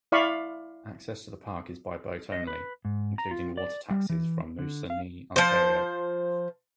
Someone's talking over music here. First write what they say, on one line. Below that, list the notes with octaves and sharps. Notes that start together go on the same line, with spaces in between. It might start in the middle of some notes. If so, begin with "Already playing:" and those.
Access to the park is by boat only, including water taxis from Moosonee, Ontario.
E4 D5 F5 B5 C#6
D#5
B4
G#2
A#5
F4
D5
G3
E3
D3
F5
F3 C5